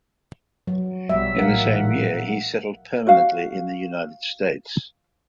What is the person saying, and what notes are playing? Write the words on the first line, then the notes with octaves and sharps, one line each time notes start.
In the same year, he settled permanently in the United States.
F#3
B1 F#3 G3 E5
A1 A#2 A#4 F5 F#5
F#4 F5